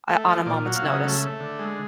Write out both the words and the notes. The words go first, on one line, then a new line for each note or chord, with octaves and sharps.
uh, on a moment's notice.
A3 E5
F3 D#5
A#2 D5
F#3
F5
C#3 E5
D#5
A3
E5
A3
D3
G#3